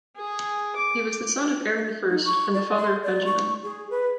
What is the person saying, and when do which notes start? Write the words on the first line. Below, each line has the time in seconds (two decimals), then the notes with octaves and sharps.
He was the son of Aaron I and the father of Benjamin.
0.16 G#4
0.76 D6
2.10 D#4
2.25 C#6
2.54 D5
2.76 C6
3.03 D5
3.25 C#6
3.64 G#4
3.91 B4